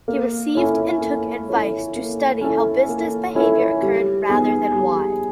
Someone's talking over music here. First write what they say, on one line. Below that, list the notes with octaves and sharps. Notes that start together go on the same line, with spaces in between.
He received and took advice to study how business behaviour occurred rather than why.
A#3
C#4 E4 A4 C#5
A#3
C#4 E4 A4 C#5
A#3
C#4 E4 A4 C#5
A#3
C#4 E4 A4 C#5
G3
B3 D#4 G#4
G3